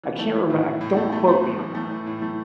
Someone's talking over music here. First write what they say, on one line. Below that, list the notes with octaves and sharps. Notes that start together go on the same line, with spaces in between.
I can't reme don't quote me on that.
E3
A3
E4
A2
A2
A2
A3
A3
A3
E3
E3
A3
E3
A2
A3